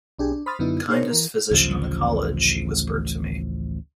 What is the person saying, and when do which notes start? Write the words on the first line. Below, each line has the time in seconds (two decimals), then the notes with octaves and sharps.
"The kindest physician in the college," she whispered to me.
0.19 B1 D4 G4 G#4
0.32 D4
0.46 C5 B5 C6 D#6 F6 A6
0.59 F#2 D3 B3 D#4 E4
0.89 D4 D#4 G#4 A#4 C5 C#5
1.10 E3 A#4
1.51 A1 D2 C#3 F3